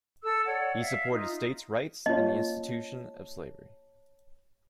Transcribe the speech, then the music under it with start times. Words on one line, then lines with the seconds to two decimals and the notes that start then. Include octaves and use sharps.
He supported states' rights and the institution of slavery.
0.24 A4 E6
0.47 C#5 D5 F#5
0.79 E5 F5
1.13 D#4 F4
2.06 A#3 C#4 F4 C#5 D#5 A5